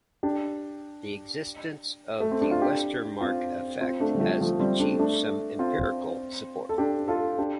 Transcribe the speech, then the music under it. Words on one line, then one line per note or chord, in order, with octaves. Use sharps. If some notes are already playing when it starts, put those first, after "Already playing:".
The existence of the Westermarck effect has achieved some empirical support.
D4 G4
A3
C4
D4
F4
D4 G4
C4 F4
C4 F4
A3 D4
G3
F3 A3
F3 A3
G3 C4
A3 D4
A3 D4
C4 F4
A4
D4 G4
F4 A4
D4 G4